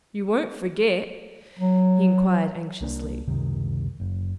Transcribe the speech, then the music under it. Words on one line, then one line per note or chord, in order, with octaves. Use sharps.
"You won't forget?" he inquired anxiously.
F#3
C2 A#3 C#4 D4
F#1 C#2 C3 D#3
F#1